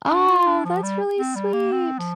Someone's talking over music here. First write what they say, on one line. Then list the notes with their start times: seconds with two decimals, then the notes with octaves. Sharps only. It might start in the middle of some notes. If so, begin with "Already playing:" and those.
Aw, that's really sweet!
0.10 D4
0.28 F4
0.47 D4
0.65 F3
0.83 G3
1.18 C4
1.35 G3
1.53 A#3
1.72 C4
1.99 F3